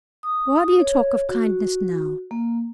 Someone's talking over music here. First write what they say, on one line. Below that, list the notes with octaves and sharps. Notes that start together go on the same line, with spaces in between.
"Why do you talk of kindness now?"
D#6
C#5
F#4
A#3